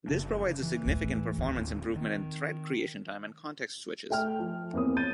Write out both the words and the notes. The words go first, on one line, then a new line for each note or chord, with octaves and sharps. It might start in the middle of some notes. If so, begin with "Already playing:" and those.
This provides a significant performance improvement in thread creation time and context switches.
F#1 C#3 D4
E3
E2 A2
D1 D#2 C4
D#3
A3 G5 F6
F3
E2 A#3 C4 A#4 C#5 D#6
G6 A6 D#7